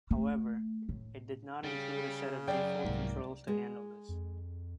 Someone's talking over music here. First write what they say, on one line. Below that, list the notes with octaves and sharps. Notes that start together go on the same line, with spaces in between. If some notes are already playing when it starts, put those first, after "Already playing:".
However, it did not include a set of default controls to handle this.
A3
A2
C#3 G3
F#2 D5 G5
C2 G#2 A#3
G#3
F2